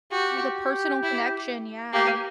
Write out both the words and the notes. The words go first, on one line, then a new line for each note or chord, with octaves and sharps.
Oh, the personal connection, yeah.
F#4 G4
E4
A#3 G4